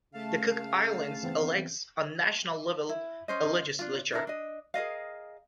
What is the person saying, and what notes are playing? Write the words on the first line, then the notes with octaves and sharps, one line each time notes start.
The Cook Islands elects on national level a legislature.
C#3 A3 F5 A5
E3 B3 C4
E4
C#4 C5 D#5
D4 F4
D4 E4 A4 A#4
D4 D#5
G#4 A#4 D#5 F5